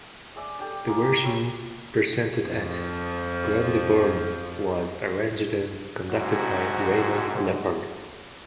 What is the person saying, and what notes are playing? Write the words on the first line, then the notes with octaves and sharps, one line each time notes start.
The version presented at Glyndebourne was arranged and conducted by Raymond Leppard.
G#4 D5 E5
D4 G4 A4
D#4 F4 G#4 A#4
G4 A#4
G3 C#5 E6
F2 F3
A#1 G#2 C3 F#4